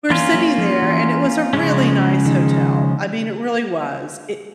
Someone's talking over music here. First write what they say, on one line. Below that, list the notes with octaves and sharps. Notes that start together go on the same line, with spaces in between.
we're sitting there and it was a really nice hotel, I mean, it really was, it
E3 A#3 C#4 F4
F#3
F3
E3
C#3 F3 G#3 C#4
D#3